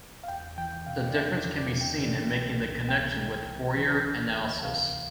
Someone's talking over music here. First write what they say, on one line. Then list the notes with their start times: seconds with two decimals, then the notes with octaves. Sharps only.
The difference can be seen in making the connection with Fourier analysis.
0.24 F5
0.28 E2 G5
0.58 E3 G5
0.86 C3 F5
1.09 D5
1.15 C3 E5
1.37 D5
1.44 E2
1.58 D5
1.73 E2
1.81 G5
2.02 E3
2.31 C2
2.60 C2
2.89 C2 G5
3.18 C2
3.46 C2
3.76 E3
4.05 D2
4.34 D2
4.63 C3 F5